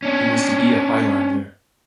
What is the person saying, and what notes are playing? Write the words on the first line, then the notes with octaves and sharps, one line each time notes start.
He was to be a Highlander.
C#4 D4